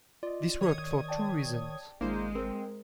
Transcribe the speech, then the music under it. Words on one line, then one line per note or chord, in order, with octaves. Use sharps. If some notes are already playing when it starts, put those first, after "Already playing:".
This worked for two reasons.
F4 D5 D#5
D#3 C#5 D#6 G#6
D5 G5 A5
G#1 G#3 A#3 D4 E4 G#4 C5
C4 A#4 C5